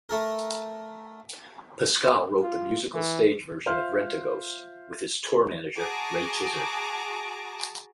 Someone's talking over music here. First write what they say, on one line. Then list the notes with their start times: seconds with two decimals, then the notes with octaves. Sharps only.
Pasquale wrote the musical stage version of "Rentaghost" with his tour manager Ray Tizzard.
0.09 A3 A4 A#4
2.43 F4
2.94 E3
3.66 F4 C5 E5 F5 C6 F6
5.78 F#4 G#4 A5 A#5 D6